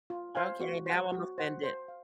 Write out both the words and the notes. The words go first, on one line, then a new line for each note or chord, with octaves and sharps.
Okay, now I'm offended.
F4
C5 F5 G#5
F#4
C5 F#5
F#4
C5 F#5
C5
F5